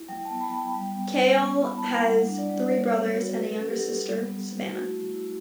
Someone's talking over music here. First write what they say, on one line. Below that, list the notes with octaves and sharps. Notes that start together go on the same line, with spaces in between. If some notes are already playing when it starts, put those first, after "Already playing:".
Kahle has three brothers and a younger sister, Savannah.
Already playing: E4
F#3 G5
A5
B3
B5
F#3
G5
G3
B3
G3
B3
E4 B5
A5
E4
G5
G3 F#5
D4
D5
G3
F#3 C#5
B3
F#4
F#3 B4
A4
C#4
G4
F#3
G3
B3
G3
A3 F#4
E4
E4